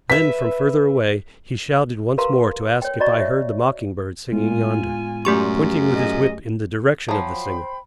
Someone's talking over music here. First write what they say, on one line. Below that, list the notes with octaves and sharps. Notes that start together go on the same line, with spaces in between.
Then, from further away, he shouted once more to ask if I heard the mocking-bird singing yonder, pointing with his whip in the direction of the singer.
B4 E5 B6
G4 A#4 B4 F5 A#5 C6
C#5 G5
F#4 D5 D#5 A#5 C#6
C#5 E5
A2 G#3 B3 F4 G#5
F#2 A3 G4 C#6
G#4 D#5
F3 F#3 C5 G5 B5